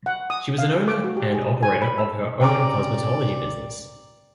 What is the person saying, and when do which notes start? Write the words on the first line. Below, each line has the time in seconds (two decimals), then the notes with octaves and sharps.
She was an owner and operator of her own cosmetology business.
0.06 F#5
0.30 D#6
0.58 F5
0.88 D6
1.04 F#4
1.17 G4
1.34 G#4
1.63 G#5
1.82 B5
1.98 E6
2.41 C3 C#4 D5 G5 A#5 D6